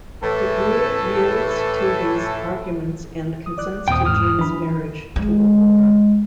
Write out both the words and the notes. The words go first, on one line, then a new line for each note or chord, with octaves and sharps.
Des Grieux yields to his arguments and consents to Jean's marriage to Aurore.
A2 E3 A4
D#6
D5 D6 F#6
D#2 A#2 C4 G5 D#6
E2 G#2 D#6 F6
E3 D4 B5
G#3